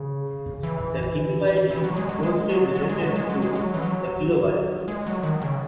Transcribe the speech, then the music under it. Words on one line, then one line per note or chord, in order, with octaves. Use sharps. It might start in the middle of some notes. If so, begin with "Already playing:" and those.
The kibibyte is closely related to the kilobyte.
Already playing: C#3
E3
E3
F#3
G#3
F#3
G#3
F#3
F#3
G#3
F#3
G#3
F#3
G#3
F#3
E3
F#3
G#3
F#3
D#3
C#3